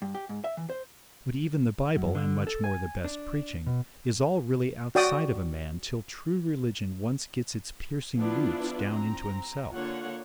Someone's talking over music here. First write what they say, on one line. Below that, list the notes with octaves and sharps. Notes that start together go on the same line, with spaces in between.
But even the Bible, and, much more, the best preaching, is all really outside of a man till true religion once gets its piercing roots down into himself.
G2
G4
G#2
E5
E3
C5
F#2
D3
A4
G#5
D4
B2
F#4 D5 G5 D#6
F3 B3 D4 E4 F4
C4 A#5
D3 A#3 F4 C#5 F#5